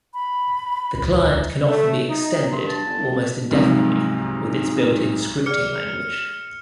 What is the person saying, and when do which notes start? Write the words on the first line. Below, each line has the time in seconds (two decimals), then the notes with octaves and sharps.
The client can often be extended almost indefinitely with its built-in scripting language.
0.14 B5
0.94 D#1 C#2
1.68 A3
2.08 D#4
2.52 G2 C6
2.69 A5
2.86 G1
2.98 C2
3.12 F2
3.51 B1 G#2 C3 F3
5.46 G#4 D5 F6 C#7